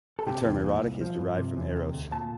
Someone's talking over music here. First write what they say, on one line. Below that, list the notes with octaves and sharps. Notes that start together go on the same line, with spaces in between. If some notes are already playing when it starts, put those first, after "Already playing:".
The term "erotic" is derived from "eros".
A4
C3 G4
E2
A#2
C2
F3
G2
C3
E2
C3
D2
A#2 A5